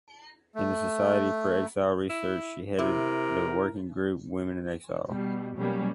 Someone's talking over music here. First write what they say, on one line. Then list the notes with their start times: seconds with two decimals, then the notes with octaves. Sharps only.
In the "Society for Exile Research" she headed the working group "Women in Exile".
0.55 A3
2.10 E4
2.79 C3 E4 A#4
5.08 B2 G3
5.56 B2 F#3 G3 A#3 C#4